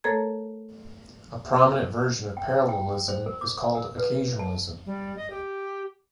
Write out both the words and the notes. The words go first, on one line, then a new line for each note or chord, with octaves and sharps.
A prominent version of parallelism is called occasionalism.
A3 A4 A#4 C#5 A#5 G#6
G5
G5
C5
A#4
D6
A#4
B4
A5
G3
D#5
G4